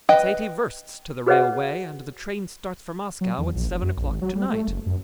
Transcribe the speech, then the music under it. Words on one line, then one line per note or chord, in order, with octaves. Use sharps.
It's eighty versts to the railway and the train starts for Moscow at seven o'clock to-night.
B4 D#5 G5
F#4 G#4 B4 C#5 D#5 F#5
F#3
E2
A#1
F#1
F#2
A#1
G#1
F#3
G3
A3
F#1
F#2